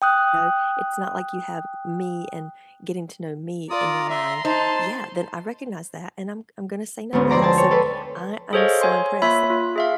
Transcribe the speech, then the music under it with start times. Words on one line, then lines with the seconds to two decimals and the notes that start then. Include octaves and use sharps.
know, it's not like you have me and getting to know me in your mind. Yeah, then I recognize that, and I'm I'm gonna say no to that, so I I'm so impressed,
0.02 G5 D#6 F#6
3.70 F4 D5 A#5 D#6
4.10 E5 C6
4.45 D#4 C5 A5
7.13 D2 G#2 B3 C#4
7.30 F2 C5 D5 A#5 D6
7.42 G#5 A5
7.58 C#5
7.71 A4 B4 C5 D5
8.53 G#4 A4 C5 C#5 D#5 F5
8.81 C#5 G#5 C6
9.22 A#3 F4 C#5 E5 B5 B6
9.50 F4
9.76 G#4 E5 F5